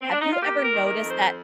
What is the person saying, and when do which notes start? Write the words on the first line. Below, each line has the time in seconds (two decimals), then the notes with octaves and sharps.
have you ever noticed that
0.01 C4
0.11 D4
0.21 D#4
0.32 F4
0.41 A#3 G4
0.64 A#4
0.72 D#3
0.86 A#4
1.02 F2
1.09 C5